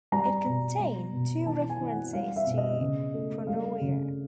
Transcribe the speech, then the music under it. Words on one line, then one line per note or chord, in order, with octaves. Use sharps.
It contained two references to pronoia.
G3 A#5
B2
G3
B2
E3 A5
G#5
E3
F#5
G3 F5
E5
B2
D#5
C#3
A3
G3 F5
C#3